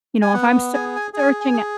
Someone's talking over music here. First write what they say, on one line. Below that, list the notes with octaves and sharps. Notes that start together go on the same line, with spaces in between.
You know, if I'm sear searching uh
G#5
B3 F#5
G#4 G#5
G#5
G#4
G#5
G#5
G#4